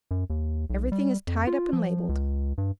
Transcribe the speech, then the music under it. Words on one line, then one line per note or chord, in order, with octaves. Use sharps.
Everything is tied up and labelled.
F#2
D#2
B1
G3
F2
F4
F3
C#2
G2